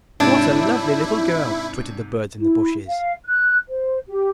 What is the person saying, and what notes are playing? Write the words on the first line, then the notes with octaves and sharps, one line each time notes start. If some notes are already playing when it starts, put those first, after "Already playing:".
'What a lovely little girl!' twittered the birds in the bushes.
G#2 C3 D4 E4 C#5
E4
F5
F#6
C5
G4